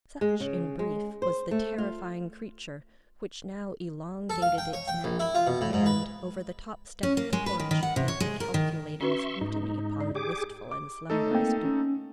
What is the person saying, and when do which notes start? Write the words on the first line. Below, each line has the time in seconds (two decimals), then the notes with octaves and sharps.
Such, in brief, was the terrifying creature which now elongated its neck, and, over the top step of the porch, bent a calculating scrutiny upon the wistful and slumberous Duke.
0.21 G#3
0.40 C#3
0.79 G#3
1.22 C5
1.51 A3
1.78 F4
4.30 A4
4.42 F5
4.58 G5
4.73 C#5
4.88 G5
5.04 A#1
5.20 E4
5.35 F4
5.47 B2
5.61 A2
5.73 G#2
5.86 B4
7.03 C#4
7.17 A#3
7.33 G#3
7.46 B4
7.60 D#3
7.71 D#3
7.83 F#5
7.96 C3
8.08 C#5
8.20 G#3
8.40 A#4
8.54 D#3
9.01 C#4 F#4 B4 E5 C6 C#6
9.41 G#2 D#4
10.00 D5
10.15 G4 G#4 D6
10.71 D6
11.10 A3 D#4 A4
11.31 A#3 C4 G5
11.65 C#4